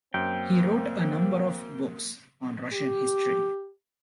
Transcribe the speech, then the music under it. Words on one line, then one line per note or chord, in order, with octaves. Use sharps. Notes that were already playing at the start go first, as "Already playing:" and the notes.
He wrote a number of books on Russian history.
F#2 A#3 C4 G5
G4